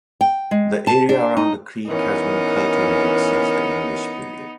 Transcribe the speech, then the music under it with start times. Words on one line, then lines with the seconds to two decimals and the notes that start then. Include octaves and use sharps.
The area around the creek has been cultivated since the English period.
0.21 G5
0.51 G#3
0.87 A5
1.09 D4
1.37 D#4
1.88 E3 B3 C#4 D#4 A#4